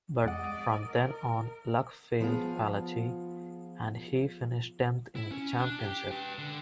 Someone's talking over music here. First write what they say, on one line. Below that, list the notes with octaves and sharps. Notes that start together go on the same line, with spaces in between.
But from then on luck failed Paletti, and he finished tenth in the championship.
F2 G#3 D5 D#5 F#5
A#4
F3 B3 F4 G#4
E4
C#4
D4
G4 G5
B4 G5
D3